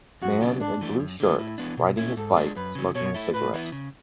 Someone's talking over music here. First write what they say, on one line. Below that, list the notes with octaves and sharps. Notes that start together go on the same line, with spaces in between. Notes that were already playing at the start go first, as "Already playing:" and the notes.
Man in blue shirt riding his bike, smoking a cigarette.
F#2 F#4
C#3 F#3 B3 D4
G#2 D4
E3 A3 D4
F#2
D3 F#3 A3
A2 E4
E3 B3 D4
B2
A3 C#4 E4
G#2 A4
G#3 D4
F#2 B4
C#3 F#3
B2 C#5
A3 E4
A2 B4
E3 B3 E4
C#3